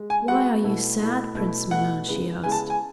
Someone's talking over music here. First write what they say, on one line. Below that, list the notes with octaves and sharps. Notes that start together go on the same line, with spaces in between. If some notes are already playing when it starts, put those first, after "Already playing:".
"Why are you sad, Prince Milan?" she asked.
Already playing: G#3
G#5
G#3 B3 F#4 F#5
B2 A3 E4
B2 A3 E4
B2 A3 E4
B2 A3 E4 F#5
C#3 G#3 B3 E4 B4
C#3 G#3 B3 E4 B4 G#5
A5
G#5